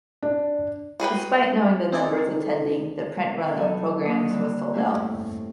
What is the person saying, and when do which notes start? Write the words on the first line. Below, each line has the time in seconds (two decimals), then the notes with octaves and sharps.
Despite knowing the numbers attending, the print run of programmes was sold out.
0.22 D4
1.00 F#4 G#4 B4 G5
1.92 C4 D#4 G#4 A4 D5
3.57 F#3 B3 D#4 A4 D#5 E5
4.05 D#3 A#3 D#6
4.29 D3 G3 C4
4.73 A3 C4 C#4 E4 G4 G#4